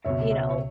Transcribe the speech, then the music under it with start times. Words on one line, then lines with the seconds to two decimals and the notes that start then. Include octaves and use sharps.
you know,
0.05 C#2 B2 C#5 E5
0.30 C#5 E5
0.49 C#5